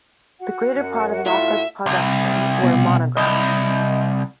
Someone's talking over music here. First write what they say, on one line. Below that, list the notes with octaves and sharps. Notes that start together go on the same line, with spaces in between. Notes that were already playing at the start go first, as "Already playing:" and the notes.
The greater part of Nauka's production were monographs.
F#4 F#5
F#2
A2 E4 F4 E5
C2
B2
C2 D#5 G6